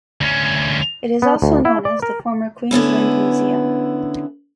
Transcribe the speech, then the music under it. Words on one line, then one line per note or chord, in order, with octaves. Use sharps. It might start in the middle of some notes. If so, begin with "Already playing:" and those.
It is also known as the former Queensland Museum.
D2 C#4
B3
D2
E4
D5
A#4
D3 B3 C#4 E4